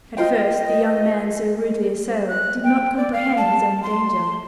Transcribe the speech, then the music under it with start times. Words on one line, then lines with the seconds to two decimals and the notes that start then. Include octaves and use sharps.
At first the young man, so rudely assailed, did not comprehend his own danger.
0.17 F4 C5 D#5 G5
2.08 C5
2.28 F#6
2.64 G5
2.97 D5
3.13 F5
3.37 A5
3.83 C6